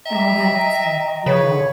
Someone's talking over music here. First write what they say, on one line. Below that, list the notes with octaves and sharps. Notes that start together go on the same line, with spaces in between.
Oh, that's so cool.
D#5 E5 G5 A#5
C#3 B4 C#5